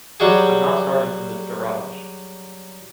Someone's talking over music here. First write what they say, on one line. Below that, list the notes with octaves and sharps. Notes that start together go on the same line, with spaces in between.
I’m not starting from this garage.
F#3 G3 F#4 G#4